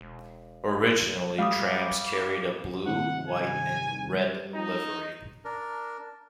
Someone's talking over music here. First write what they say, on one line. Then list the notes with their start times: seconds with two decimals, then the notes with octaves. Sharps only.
Originally trams carried a blue, white and red livery.
0.01 E1
1.39 G3 F5 D6 D#6
2.86 G2 C3 D#3 F#5
3.29 G#5
4.13 G3
4.54 D#4
5.45 D4 A#4